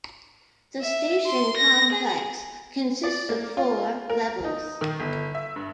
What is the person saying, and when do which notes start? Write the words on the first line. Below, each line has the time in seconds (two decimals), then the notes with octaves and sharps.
The station complex consists of four levels.
0.82 E5
1.27 C6
1.57 A#6
1.92 G#4
3.04 D5
3.29 A#3
3.57 F4
4.10 A#4
4.44 D#4
4.81 D#3
5.00 G1
5.35 E5
5.56 G2